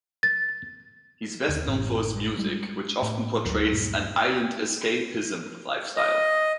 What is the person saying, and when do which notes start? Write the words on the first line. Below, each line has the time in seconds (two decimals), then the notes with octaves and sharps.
He is best known for his music, which often portrays an "island escapism" lifestyle.
0.23 A6
1.48 D#2 D3 D#3
1.66 A1 F#2 A2
2.38 G3 G#3
3.02 A2
3.45 G1 D2 F#3 G3
3.70 D1 G2 A#2
5.97 D#5